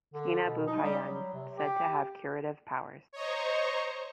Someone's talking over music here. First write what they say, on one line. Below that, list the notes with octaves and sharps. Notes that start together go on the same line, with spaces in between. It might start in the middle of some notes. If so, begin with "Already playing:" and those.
Kinabuhayan, said to have curative powers.
D3
B2
D#4
G3
F#3
C3
G4
C5 C#5 D#5 A#5 C#6